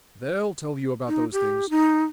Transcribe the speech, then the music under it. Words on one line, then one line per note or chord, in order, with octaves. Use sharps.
They'll tell you about those things.
D#4
G4
D#4